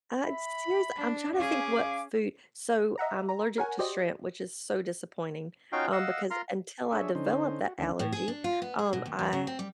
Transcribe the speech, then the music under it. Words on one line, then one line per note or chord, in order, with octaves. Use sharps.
Uh, it's serious I'm trying to think what food so I'm allergic to shrimp, which is so disappointing, um, because until I developed that allergy, um, I
E5 B5
D4
C#4 G#4 F5 D6
F5
D#5 E5 F#5 A#5
A#5
A#4 C#5 F#5 G#5
F#4 G4 C5 D5 D#5
C#4 D#4 F4 F#4 F5 G5
D#5 F5 F#5 E6
F4 A#4 A#5 C6
D4 G#4 C#5 E5
D3 C#4 D#4 C5
F#4
D2 D#3 C#4 D4
A2
G#4
D4
F4
B3
G#4
B2
D#2
E2
C#3
C4
G3